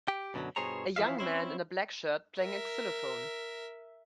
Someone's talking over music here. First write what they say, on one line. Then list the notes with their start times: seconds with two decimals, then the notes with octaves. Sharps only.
A young man in a black shirt playing a xylophone.
0.08 G4 G5
0.34 F#2 B2 D3 F3 F#3
0.56 G2 B2 G#4 C5 C#5 A#5
0.96 E3 F3 C#4 E5 F5
1.19 C4 C#4 E4 C5
2.39 A#4 E5